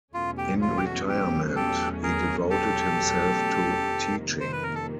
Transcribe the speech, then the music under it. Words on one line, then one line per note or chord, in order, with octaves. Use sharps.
In retirement, he devoted himself to teaching.
E2 B2 F#3 A3 C#4 F4
G4
F4
G4
F#4
G4
G4 A4
G#4 A#4
G4 A4
F2 C3 D#3 G3 A#3
C5
B4
A#4
A4